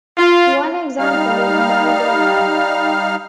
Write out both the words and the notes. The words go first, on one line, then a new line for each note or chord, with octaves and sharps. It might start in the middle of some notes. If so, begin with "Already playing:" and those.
One example is Moldovan.
F4
G3 D#4 F5 F6